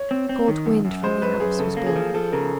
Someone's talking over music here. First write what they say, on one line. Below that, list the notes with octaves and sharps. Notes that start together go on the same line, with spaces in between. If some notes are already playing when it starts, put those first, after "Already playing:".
A cold wind from the Alps was blowing.
Already playing: C#5
C4
C4
D#3
F#2
F#2
G#3 C5
F#2 B4
F#2 G#4
C#3 A4
A#3
G#4
F3
F3 A4
C#3 A#4